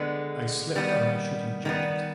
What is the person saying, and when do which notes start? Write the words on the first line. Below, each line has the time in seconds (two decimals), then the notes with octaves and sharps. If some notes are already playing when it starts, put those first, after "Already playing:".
I slipped on my shooting jacket.
Already playing: D3 G#3 B3
0.75 D#3 G3 B3
1.65 D#3 G3 B3